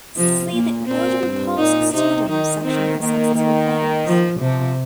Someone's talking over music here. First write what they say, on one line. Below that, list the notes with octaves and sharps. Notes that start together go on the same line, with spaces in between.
See the "Notable Past Students" section for successful players.
C3 F3
A#2 A#3
A#2 C4
G2
A#2 D#4
C3 D#4
D#3 D#4
D#3 C4
D#3 A#3
D#3
F3
C3 F3